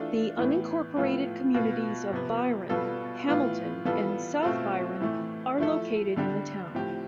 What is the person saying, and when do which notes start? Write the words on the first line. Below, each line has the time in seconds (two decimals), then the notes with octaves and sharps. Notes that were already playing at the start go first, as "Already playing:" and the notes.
The unincorporated communities of Byron, Hamilton, and South Byron are located in the town.
Already playing: E3 A3 D4 F4 A4
0.39 A2 E3 B3
0.96 A2 F3 B3 F4 A4
1.54 B2 B3 F4
2.13 C3 F3 B3
2.70 B2 G3 B3 F4 A4
3.28 A2 E3 B3 F4
3.85 E3 G3 B3 F4 A4
4.43 B2 A3 C4 F4 A4
5.00 A2 E3 A3
5.58 F3 A3 E4 A4
6.16 D3 G3 D4 G4
6.75 A2 F3 C4 G4